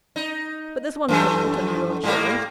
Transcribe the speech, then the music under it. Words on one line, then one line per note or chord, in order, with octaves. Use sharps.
But there's one comfort, on your own showing.
D#4
F#2 E3 A3
G#2 G3 A#3